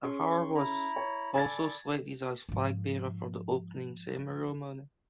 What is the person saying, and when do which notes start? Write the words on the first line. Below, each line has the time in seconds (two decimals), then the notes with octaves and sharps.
Ahar was also selected as flag bearer for the opening ceremony.
0.03 C#4 G#4 C6 C#6
0.55 E4 A#5 B5
0.96 C#5
1.34 A4 D5 G#5 B5 G#6 A6
2.49 G#2 F3